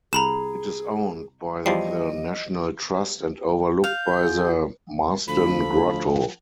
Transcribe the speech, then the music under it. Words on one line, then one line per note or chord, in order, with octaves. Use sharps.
It is owned by the National Trust and overlooked by the Marsden Grotto.
C2 G#4 A#5 B5 E7
E2 F3 G3 D#5 C7
F5 G6
F4 F#4 G#4
D2 F3 A4 B5